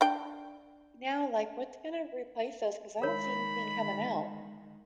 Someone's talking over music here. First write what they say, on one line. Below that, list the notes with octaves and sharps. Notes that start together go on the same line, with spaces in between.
now, like, what's gonna replace those, 'cause I don't see anything coming out.
D4 G5
D#3 G#3 A#4 C#5 B5